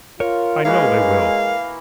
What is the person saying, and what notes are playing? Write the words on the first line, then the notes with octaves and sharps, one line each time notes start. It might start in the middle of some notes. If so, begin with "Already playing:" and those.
I know they will!'
F4 A#4 C#5
E3 G#3 A#3 F#4 F5